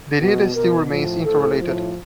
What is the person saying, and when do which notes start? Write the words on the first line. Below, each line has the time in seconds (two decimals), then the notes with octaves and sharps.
The data still remains interrelated.
0.20 B2
0.55 B2 A#4
0.90 A2 F3
1.25 A2 F3 A4
1.60 A2 F3